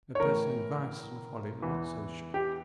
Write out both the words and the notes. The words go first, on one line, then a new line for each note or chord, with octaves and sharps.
A person whose vices and follies are not sociable.
C#5
A2 E3 A#4
E2 E3
G4